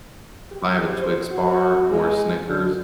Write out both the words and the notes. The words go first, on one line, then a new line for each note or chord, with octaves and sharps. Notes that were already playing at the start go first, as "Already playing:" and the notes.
if I have a Twix bar or Snickers
G4
C5
F#4
G#3
D3